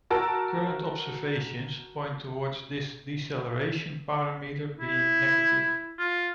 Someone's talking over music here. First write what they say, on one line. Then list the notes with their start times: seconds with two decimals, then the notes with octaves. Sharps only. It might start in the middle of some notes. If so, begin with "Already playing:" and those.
Current observations point towards this deceleration parameter being negative.
0.10 F#4 A#4 A5 E6
4.79 E4
5.99 F4